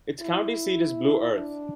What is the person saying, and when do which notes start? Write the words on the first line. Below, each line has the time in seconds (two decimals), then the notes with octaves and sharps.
Its county seat is Blue Earth.
0.22 E4
1.33 D4